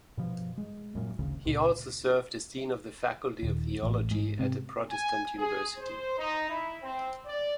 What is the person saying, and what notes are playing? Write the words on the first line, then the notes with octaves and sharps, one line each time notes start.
He also served as dean of the Faculty of Theology at the Protestant University.
G2 B2 F3
G#3
F#2 A#2
G#1 D2 C#3
C#2 A#2 C#3
D#1
A1
G#2
C3
G#5
G#4
C5
D#4
E4
C4
D5